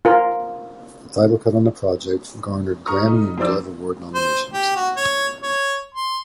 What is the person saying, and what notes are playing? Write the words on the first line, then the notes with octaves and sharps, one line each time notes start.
The title cut on the project garnered Grammy and Dove Award nominations.
F4 A#4
A#5 C#6 D#6 F6
A3 D#4
F2 D#4 C5 D5 E6
C5
G4
F#4
C#5
C#5
C6